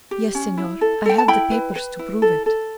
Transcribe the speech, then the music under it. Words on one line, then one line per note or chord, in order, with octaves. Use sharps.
"Yes, Senor; I have the papers to prove it."
G4
C#4
E4
A4
A4 G5
A5
E4 G5 B5
B4
B4
E4
A4
A4